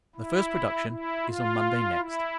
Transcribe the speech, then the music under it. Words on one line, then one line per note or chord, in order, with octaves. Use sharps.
The first production is on Monday next.
E4
E4
F4
E4